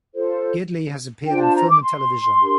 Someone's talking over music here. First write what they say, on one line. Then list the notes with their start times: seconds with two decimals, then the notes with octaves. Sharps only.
Gidley has appeared in film and television.
0.15 F4 A4 C5
1.26 D4 F4 C5 G5
1.41 A5
1.55 A#5
1.69 D6
1.82 C6
2.39 D4 G4 A#4